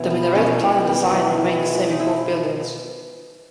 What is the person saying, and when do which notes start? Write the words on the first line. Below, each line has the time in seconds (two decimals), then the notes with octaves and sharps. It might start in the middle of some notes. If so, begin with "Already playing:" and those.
The minaret plan and design remained the same in both buildings.
Already playing: B2 E3
0.10 B3
0.35 B2 C#4
0.60 B2
0.86 G3
1.12 E3
1.38 E3
1.63 G#3
1.89 E3 D#4
2.00 E4